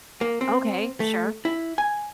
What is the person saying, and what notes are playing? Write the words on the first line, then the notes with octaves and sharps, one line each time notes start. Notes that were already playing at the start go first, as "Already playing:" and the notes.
Okay, sure.
A#3
C4
A3
E4
G#5